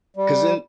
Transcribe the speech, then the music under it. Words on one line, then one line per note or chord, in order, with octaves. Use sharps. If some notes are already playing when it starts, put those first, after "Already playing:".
'Cause then
G3